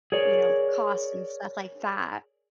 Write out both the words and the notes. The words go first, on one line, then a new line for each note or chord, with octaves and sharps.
you know, cost and stuff like that.
G#4 A#4 C#5 D5